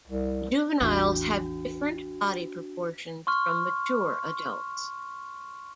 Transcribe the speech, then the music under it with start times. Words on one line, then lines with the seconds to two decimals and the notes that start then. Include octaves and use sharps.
Juveniles have different body proportions from mature adults.
0.07 C2
0.81 A1 E2 D4 F#4
3.27 C6 C#6 F6